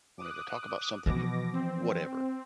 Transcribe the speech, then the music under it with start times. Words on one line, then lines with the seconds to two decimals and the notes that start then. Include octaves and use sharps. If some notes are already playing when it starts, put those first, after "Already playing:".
wanted to talk about something, you whatever.
0.18 D6 D#6 F#6
1.06 B2 E3 F3 D6 A#6
1.53 C4